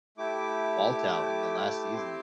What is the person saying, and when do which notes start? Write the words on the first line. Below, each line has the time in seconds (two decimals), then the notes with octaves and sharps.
Walt out in the last season.
0.18 A3 E4 G4 D6
1.94 C4 E4 G4 C6